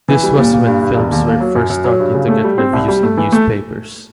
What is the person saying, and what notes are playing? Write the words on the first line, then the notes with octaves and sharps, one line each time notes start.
This was when films were first starting to get reviews in newspapers.
E3
G3
A#2
A#2
G2
G2
E1
D#2
A#3
F#3
F#2
F#2
F#3
G2
C#3
A3
G3
C4
C2
G3
A3
E3
A3